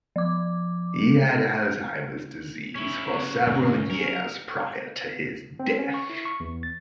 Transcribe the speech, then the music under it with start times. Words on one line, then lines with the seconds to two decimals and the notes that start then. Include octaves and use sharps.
He had Alzheimer's disease for several years prior to his death.
0.16 F3 D6
2.75 C#4 E4 C#6
3.14 C#3 F#3
3.47 D2 G#2 C#4
3.91 F#3 A#4
5.59 C4
5.79 C#4
5.94 C#6
6.10 E4
6.25 C#6
6.40 E2
6.63 A6